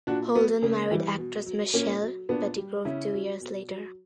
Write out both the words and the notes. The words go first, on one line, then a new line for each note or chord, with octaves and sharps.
Holden married actress Michelle Pettigrove two years later.
A#2 D4 F#4
F#3 B3
C#3 A#3
E3 G3
B2
F#3
A#2 A#3 C#4
F#3
A#2 B3 D4
G3
C#3 C#4 E4
F#3
B2
F#3